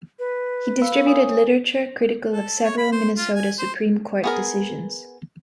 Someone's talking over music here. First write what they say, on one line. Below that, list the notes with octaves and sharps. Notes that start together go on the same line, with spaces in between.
He distributed literature critical of several Minnesota Supreme Court decisions.
B4
F5 B5 E6
A#4 C#5
G#5 D#6
A4
C#5
B5
C5
F4
G#5
C5
B3 G#4 A#4